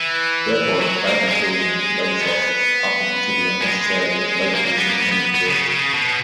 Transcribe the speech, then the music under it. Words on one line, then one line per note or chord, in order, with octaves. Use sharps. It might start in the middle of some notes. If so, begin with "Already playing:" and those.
Therefore, badly chosen light sources often contribute unnecessarily to light pollution and energy waste.
Already playing: E3
F#3
A#3
G#3
B3
G#3
A#3
A#3
B3
A#3
B3
B3
B3
C#3
C#3
B2